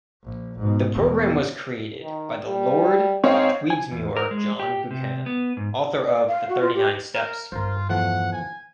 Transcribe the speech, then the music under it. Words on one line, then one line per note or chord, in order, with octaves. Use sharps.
The program was created by the Lord Tweedsmuir-John Buchan, author of "The Thirty-Nine Steps".
A#1
G#2 B2
E2 B2
D#3
G3
G#2 C4 C#5 D#5 F5
G#5
E2
A#4
G#3
G4
C3
B3
G#2
D5
F5
F#4
F4
G4
A#4
G2 D3 F4 A#4 C5
E2 F3 A3 F#5
G#5